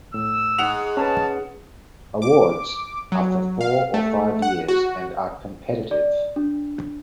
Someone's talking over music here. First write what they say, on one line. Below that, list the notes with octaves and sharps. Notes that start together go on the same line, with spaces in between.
Awards are for four or five years and are competitive.
A2 E6
G#2 F#5 D#6 F7
C#4 G#4 B4 A5
D6
F#3
F5
A3
F#5
F#4
D5
D4